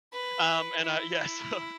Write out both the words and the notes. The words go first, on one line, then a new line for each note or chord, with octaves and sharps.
um, and, uh, yeah, so
B4
E4